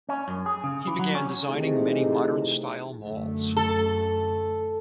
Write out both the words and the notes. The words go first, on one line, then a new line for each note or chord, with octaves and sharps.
He began designing many modern-style malls.
C#4
F#2
G#4
C#3
E3
F#3
C#4
C3 E3 A3 C4 D#4 G#4
F#2 D3 A3
A4